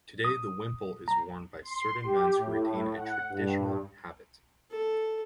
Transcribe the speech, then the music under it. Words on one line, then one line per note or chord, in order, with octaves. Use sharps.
Today the wimple is worn by certain nuns who retain a traditional habit.
D#6
A#5
C6
G4
A2
F#5
G2
A4